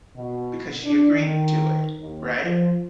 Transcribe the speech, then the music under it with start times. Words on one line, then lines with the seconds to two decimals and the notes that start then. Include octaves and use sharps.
because she agreed to it, right?
0.17 B2
0.84 D4
1.16 D#3
2.00 D#2
2.43 F3